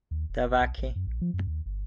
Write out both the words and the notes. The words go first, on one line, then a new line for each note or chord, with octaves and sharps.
De Vecchi.
D#2
E1
F#1
B1
A1
F#2
A#1
F3
F#2
D#2
G1